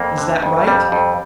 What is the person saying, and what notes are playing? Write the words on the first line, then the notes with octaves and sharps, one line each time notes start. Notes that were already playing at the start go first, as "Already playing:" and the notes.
Is that right?
Already playing: F2 A#3
D3
F2
F2 G3
F2